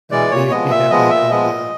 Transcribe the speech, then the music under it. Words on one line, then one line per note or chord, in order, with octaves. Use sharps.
Uh, do you do you have, like, all the,
E3 G#3 D5
A#2 C#5
F3 G#3 B3 D#5
A#2 E5
F3 G#3 B3 D#5
A#2 E5
F3 G#3 B3 D#5
A#2